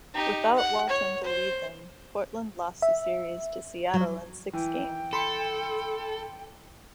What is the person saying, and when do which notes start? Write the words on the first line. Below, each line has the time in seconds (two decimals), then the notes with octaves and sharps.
Without Walton to lead them, Portland lost the series to Seattle in six games.
0.14 D#4 G4
0.56 F#5
0.90 C#5
1.24 C5
2.82 E5
3.94 F#3
4.53 E3 G5
5.13 A4 B5 C6 C#7